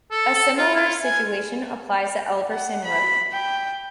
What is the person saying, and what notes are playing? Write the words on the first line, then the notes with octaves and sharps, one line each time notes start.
A similar situation applies at Elverson Road.
A4
A4
F4
F4
G#5
F#5
B5
G5